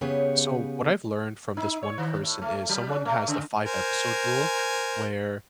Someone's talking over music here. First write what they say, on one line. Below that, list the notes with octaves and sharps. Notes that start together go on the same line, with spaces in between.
so, what I've learned from this one person is someone has the five-episode rule, where
C#3 B3 G4 G#4 C#5
D#4
C#5
D#3
A2
A3
F#3
C#4
A3
C#3
A#4 C5 G#5